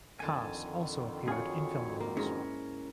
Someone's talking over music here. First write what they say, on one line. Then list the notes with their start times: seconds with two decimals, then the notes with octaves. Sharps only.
Kaas also appeared in film roles.
0.20 F2 D3 D#3 G#5 A5
1.28 F4 F#4 G#4 C#5 G#5
2.01 A#3
2.17 G#2 C#4 E4 A#4